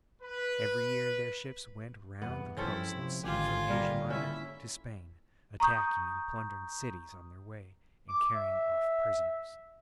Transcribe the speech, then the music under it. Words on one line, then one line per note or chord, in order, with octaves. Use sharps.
Every year their ships went round the coasts from Asia Minor to Spain, attacking and plundering cities on their way and carrying off prisoners.
B4
E2 G2 B3
G2 F3 C4 C#4 E4 A4
C3 F3
G#1 D3 F4 G4 G#5
D3 G3 A#3 A#4
C#4 E4 E5
A#5 C#6 D#6 G6
D6
E5